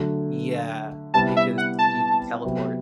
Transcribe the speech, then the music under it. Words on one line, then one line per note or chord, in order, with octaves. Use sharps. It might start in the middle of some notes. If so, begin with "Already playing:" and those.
Yeah. Because you could teleport
Already playing: D3 F#3 A3
C3 G3 B3 E4 A5
E5
F#5
A5
C3 F#3 B3